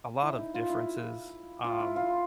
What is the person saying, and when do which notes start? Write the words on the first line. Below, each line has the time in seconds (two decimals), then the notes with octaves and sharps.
a lot of differences, um,
0.22 E4
0.38 D#4
0.54 F4
0.70 E4
1.64 F4
1.80 E4
1.96 F4